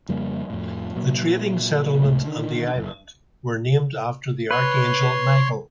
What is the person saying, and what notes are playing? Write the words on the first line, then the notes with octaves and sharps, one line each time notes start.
The trading settlement and the island were named after the archangel Michael.
F2 C#3 G3 A#3
F2 A2
A#2 F#3
C#2 A2
D3 D#3
F#1
B4 C#5 C6